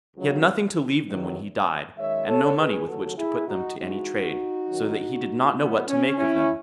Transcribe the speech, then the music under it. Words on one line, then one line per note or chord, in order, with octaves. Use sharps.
He had nothing to leave them when he died, and no money with which to put them to any trade, so that he did not know what to make of them.
C#2 C#3 F#3
E2 D#3 F#3
F#2 D#3 G#3 C#5 E5
A4 C#5
G#4 B4
D#2 C#3 F#3 A3 F#4 A4
E4 G#4
D#4 F#4
G#2 E3 G#3 D#4 F#4
F#2 D#3 F#3
A2 F#3 A3 B3
C#4
C#4 E4